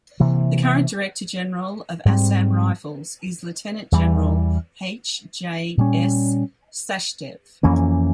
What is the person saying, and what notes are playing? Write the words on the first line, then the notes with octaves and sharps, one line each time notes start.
The current director general of Assam Rifles is Lieutenant Gen H J S Sachdev.
C3 E3 A#3
G#2 G3 C4
E2 E3 G3
A#2 G3 C#4
F2 E3 A#3 C#4